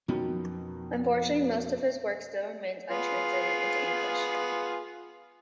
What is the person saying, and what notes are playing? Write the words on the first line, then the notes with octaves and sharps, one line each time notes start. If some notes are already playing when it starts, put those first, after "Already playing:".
Unfortunately most of his work still remains untranslated into English.
F2 B2 D#3 F3 F#3 C#4
B3 F4 G#4